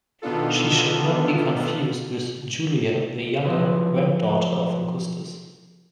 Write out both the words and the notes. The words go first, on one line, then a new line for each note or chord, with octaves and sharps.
She should not be confused with Julia the Younger, granddaughter of Augustus.
B2 D#3 B3 D4 F4 A4
F3 F#3 E4 B4